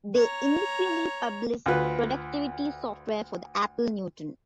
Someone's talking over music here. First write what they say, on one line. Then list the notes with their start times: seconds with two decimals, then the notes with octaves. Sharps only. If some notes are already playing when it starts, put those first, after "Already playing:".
They initially published productivity software for the Apple Newton.
0.15 C#5 A#5
1.66 D2 F4 B4